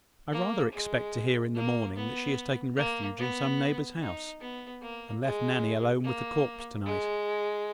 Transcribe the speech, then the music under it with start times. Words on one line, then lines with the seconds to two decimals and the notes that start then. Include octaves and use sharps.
"I rather expect to hear in the morning that she has taken refuge in some neighbour's house, and left Nanny alone with the corpse to-night."
0.32 A#3
0.73 G#3
1.55 A#3
1.96 B3
2.77 A#3
3.18 B3
4.00 D#4
4.41 B3
4.82 A#3
5.22 G#3
6.04 A#3
6.86 G#3